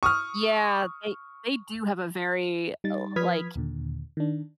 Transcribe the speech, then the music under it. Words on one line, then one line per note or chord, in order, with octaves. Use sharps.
Yeah, they they do have a very, li like,
C#6 D#6 F6
G3 D#4 A6
F3 B4 D#6 F6 G#6 B6
D#2 A#2 D3
D#3 D4